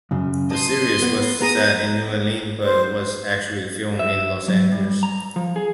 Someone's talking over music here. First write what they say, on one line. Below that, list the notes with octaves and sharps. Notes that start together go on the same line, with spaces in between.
The series was set in New Orleans, but was actually filmed in Los Angeles.
F#2 C#3
D#5 A5 C6 D#6
B3
B3 G#4 A#5 D#6
C5
E5
F#3
G3
A#5
F3
G#4